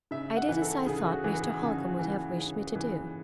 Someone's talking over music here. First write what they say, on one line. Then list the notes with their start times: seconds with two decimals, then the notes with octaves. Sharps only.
I did as I thought Mr. Holcombe would have wished me to do.
0.11 C#3 E5
0.37 F#5
0.49 E3
0.62 A4
0.86 C#3 G#4
1.06 F#4
1.24 E3 G#4
1.42 G#4
1.62 C#3
1.99 E3
2.37 C#3
2.75 E3